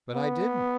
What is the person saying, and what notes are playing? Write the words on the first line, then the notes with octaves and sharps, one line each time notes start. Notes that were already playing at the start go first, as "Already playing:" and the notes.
"But I didn't."
B3